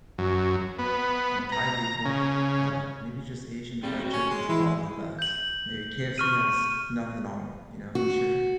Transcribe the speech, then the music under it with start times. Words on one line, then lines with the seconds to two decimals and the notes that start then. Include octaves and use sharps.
and Thai people. Uh, maybe just Asian fried chicken's probably the best. A KFC has nothing on 'em, you know, for sure,
0.18 F#2
0.79 B3
1.52 A#5
2.05 C#3
3.83 G3 C4 G#4 A4
3.99 F#4
4.13 C#4
4.30 G#3
4.49 E3 G#3 E4
5.19 G6 F#7
6.18 C#6 F6 D#7
7.95 F#4